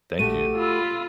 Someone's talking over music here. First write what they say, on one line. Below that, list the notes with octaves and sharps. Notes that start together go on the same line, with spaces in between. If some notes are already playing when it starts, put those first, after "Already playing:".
Thank you.
A#1 A3 F#4 G4 D#7
F4 B5 E6